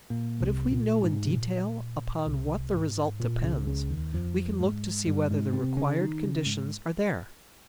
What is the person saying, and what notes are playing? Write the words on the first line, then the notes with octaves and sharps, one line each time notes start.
But if we know in detail upon what the result depends, we can look to see whether the required conditions are there.
A#2 A#3
C2 C3
A#2
G#2
C3
A#2
C2 C3
G#2
A#2
C#2 C#3
C#2 C#3
D#2 D#3
F2 F3
G#2 G#3
G2 G3
G#2 G#3
C3 C4
C#3 C#4
D#3 D#4
C#3 C#4
G#2 G#3